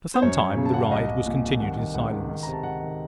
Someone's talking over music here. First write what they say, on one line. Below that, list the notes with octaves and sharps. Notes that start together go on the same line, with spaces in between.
For some time the ride was continued in silence.
C5
F#2 C#5
F#2
C#3
A5
C#3 F#5
F5
C2 D#5
C2
A#2
C2
D#3 F#5
D#3
C#2 F#5
D#3
D#3
C3 A#5
A5
D#3 F#5
D#3